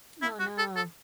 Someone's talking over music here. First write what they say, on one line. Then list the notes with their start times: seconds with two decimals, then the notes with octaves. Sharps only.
Oh no.
0.22 E4
0.40 F#4
0.58 A4
0.76 A4